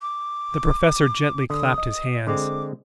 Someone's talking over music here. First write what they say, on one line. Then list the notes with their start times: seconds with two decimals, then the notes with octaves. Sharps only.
The Professor gently clapped his hands.
0.02 D6
1.50 D3 D#6
1.78 D#5
2.27 D3 G#3 C4 D6